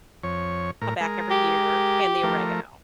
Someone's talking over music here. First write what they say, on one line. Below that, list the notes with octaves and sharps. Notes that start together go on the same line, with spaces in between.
come back every year, and the oregano,
F2 C#5
A2 A#4
G#3 A#4
G4
F3 A3 A#4